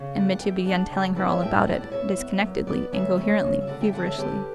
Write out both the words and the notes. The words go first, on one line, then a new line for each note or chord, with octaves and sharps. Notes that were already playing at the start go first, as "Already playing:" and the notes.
And Mitya began telling her all about it, disconnectedly, incoherently, feverishly.
Already playing: C#3
E2 D5 F#5
F#5
E2 E5 G5
D4 D5 F#5
C#3
E4 B4 D5
C#5 E5
A2 E5 G5
D5 F#5
E4 D5 F#5
D5
B2 C#5 E5
B3
F#2
B3 B4 D5
D2 C#5 E5
C#4
C#3
E5
D3 D5 F#5
E5 G5
D3 D5 F#5
C#5 E5
D3 G4 B4